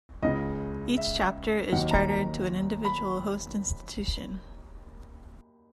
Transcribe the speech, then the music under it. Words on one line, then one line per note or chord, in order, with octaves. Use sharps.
Each chapter is chartered to an individual host institution.
C#2 C#3 G#3 D#5
E5
D#2 D#3 F#3 A#3 F#5
A#5
A#5
B5